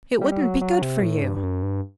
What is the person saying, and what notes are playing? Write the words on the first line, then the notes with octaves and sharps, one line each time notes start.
It wouldn't be good for you.'
G3
G3
F#3
F#3
C3
A2
G2
G2
F#2
G2